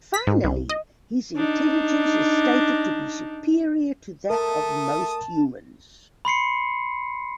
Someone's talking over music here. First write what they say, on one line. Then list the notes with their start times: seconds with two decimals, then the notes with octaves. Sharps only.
Finally, his intelligence is stated to be superior to that of most humans.
0.14 B6
0.27 G#2
0.44 C2
0.69 D#5
1.36 D4 D#4
4.30 A3 A#4 A5 D#6
6.25 B5 C6 C7 C#7